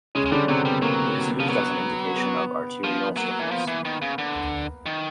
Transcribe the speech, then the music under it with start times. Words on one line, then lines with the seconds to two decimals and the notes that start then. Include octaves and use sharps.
It is used as an indication of arterial stiffness.
0.15 C#3 G#3 C#4
0.26 G#3
0.32 D3 G3 D4
0.48 C3 F#3 C4
0.65 G3 B3
0.82 F#3 A#3
1.40 F3
1.49 F#3 B3
2.16 B3
2.84 F3 B3
3.17 F#3 A#3
3.39 E3
3.51 F3 B3
3.67 E3
3.85 D#3
4.02 C#3
4.18 D3
4.86 D#3